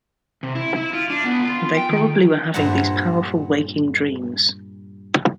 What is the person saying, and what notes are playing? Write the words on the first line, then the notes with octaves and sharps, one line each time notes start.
They probably were having these powerful waking dreams.
C3
E4
E4
F4
D4
B3
F4
G5
D#3
G2 A#2 C5 E5 F#5 A#5